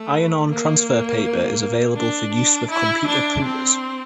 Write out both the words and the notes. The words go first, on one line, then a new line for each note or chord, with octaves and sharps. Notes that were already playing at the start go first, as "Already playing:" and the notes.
Iron-on transfer paper is available for use with computer printers.
Already playing: A3
A#3
D4
D4
E4
D4
C4